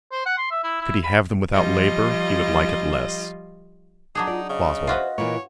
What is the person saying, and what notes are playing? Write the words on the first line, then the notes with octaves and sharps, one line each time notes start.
Could he have them without labour, he would like it less.' BOSWELL.
C5
F#5
C6
E5
E4
E4
B5
F3 G3 F4 D#5
F#3 D4 D#4 G#4
F4 D5
C#3 D#5
F4 F#4 B4 C5 E5
A#2 E3 A#3 C#5